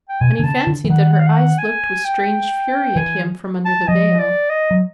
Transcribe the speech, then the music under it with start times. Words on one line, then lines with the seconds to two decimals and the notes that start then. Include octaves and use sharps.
And he fancied that her eyes looked with strange fury at him from under the veil.
0.09 G5
0.21 B2 G#5
0.37 G#5
0.39 D3
0.44 C#3 A5
0.67 D3
0.85 E3
0.89 D#3 F#5
1.12 F#5
1.20 F5
1.27 F#5
1.59 G#5
2.05 G5
2.96 E3 G#5
3.65 A5
3.88 F3 D#5
4.19 D5
4.50 D#5
4.71 F#3